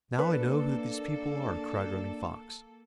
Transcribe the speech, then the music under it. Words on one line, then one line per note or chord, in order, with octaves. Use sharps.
"Now I know who these people are," cried Running Fox.
A#3 D4 A4 B4